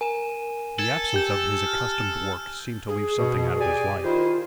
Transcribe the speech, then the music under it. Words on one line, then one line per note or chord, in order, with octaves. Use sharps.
The absence of his accustomed work seemed to leave something out of his life.
A#4 G#5 D#7 E7
A4 G#6
G4 A5 G6 E7
F6
G#4
B2
G4 D5 G#5
D#3 E4 F4 C5